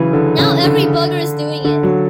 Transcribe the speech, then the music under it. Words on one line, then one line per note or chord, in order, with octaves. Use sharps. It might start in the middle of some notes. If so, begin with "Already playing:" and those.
Now every bugger's doing it.
Already playing: C#3 E3 F#3
D3
C#3
D3
D3
F#3